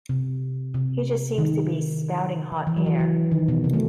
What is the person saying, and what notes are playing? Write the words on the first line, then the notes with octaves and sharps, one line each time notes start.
He just seems to be spouting hot air.
C3
C3
D#3
E3
F#3
E3
E3
D#3
B2
C3
A3